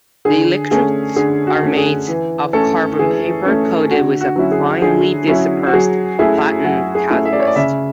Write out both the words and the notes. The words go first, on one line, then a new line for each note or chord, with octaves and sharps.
The electrodes are made of carbon paper coated with a finely dispersed platinum catalyst.
D3 G#4
A3 C#4 G#4
D3 G#4
F#4
A3 C#4
G#4
E3
A3 C#4 A4
E3 G#4
A3 C#4
D3 F#4
F#4
F#3 C#4 E4
G#4
D3 G#4
F#3 C#4 E4
F#4
F#3 G#4
A3 C#4 E4 G#4
F#3 F#4
G#4
A3 C#4 E4
E5
D5
C#5
D5
C#3 E5